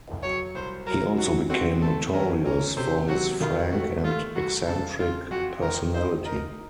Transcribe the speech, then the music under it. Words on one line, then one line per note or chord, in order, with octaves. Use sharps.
He also became notorious for his frank and eccentric personality.
F#3 C#5
C2 C5
F#3 A#4
F#3 F#4
C4 F#4
A3 A4
C#4 A#4
C#4 A#4
C3 C5
F#3 F#4
D#3 F4
A3 F#4
A3 F4
C2 F#4
C#3 A4
C4 F4
F2 F#4
D#3 A#4
D#4 C5
D#4 A#4